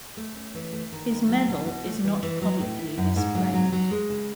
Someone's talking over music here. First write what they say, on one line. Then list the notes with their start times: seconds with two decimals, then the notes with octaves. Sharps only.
His medal is not publicly displayed.
0.17 A3
0.35 C#4
0.54 E3
0.73 A3
0.92 D#3
1.10 D#2
1.29 F#3
1.48 B2
1.66 B2
1.85 A3
2.04 E3
2.23 E3
2.42 F#3
2.60 A2
2.79 E4
2.97 F#2
3.16 G#2
3.35 F#3
3.53 F#3
3.72 F#3
3.91 G#3
4.10 C#3